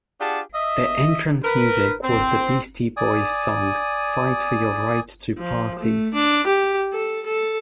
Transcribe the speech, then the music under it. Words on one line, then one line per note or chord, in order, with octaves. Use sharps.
Their entrance music was the Beastie Boys' song "Fight For Your Right to Party".
D4 F4 G4 G#4 F#5 A5
D#5 E5
A#4 B4
C4
D5 G#5 D#6
F3
A3
D4
G4
A4
A4